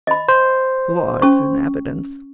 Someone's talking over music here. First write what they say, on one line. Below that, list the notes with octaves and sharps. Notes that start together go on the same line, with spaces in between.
Who are its inhabitants?
D#5 B5
C5
C#4 C#6